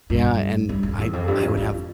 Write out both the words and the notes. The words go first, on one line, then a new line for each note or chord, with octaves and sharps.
yeah, and I I would have
G2
G2
F2
E2
F2
G2
F2
F2